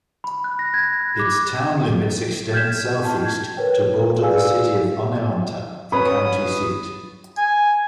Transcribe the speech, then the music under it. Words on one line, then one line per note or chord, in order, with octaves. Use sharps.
Its town limits extend southeast to border the city of Oneonta, the county seat.
B5
F#6
A#6
G#6
F#6
D6
F6 G6 G#6 B6 E7
G5 A5 F6
G6 G#6
A#4 B4 C#5 G5
G#4 B4 D5 F5 G#5 E6
C#4 B4 C#5 B5 D#6
G#5